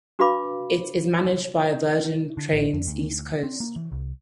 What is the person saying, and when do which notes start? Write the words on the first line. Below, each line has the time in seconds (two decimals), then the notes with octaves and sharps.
It is managed by Virgin Trains East Coast.
0.19 D4 F#4 B4 F5 B5 D6
2.37 D3
2.53 A1
2.73 F2
2.87 D2
3.43 C4
3.60 A#3
3.76 E3
3.92 C2